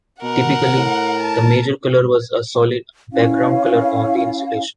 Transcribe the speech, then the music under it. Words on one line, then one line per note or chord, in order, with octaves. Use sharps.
Typically, the major color was a solid, background color on the insulation.
B2 A#4 F#5
A2
A5
C#4 E4 F5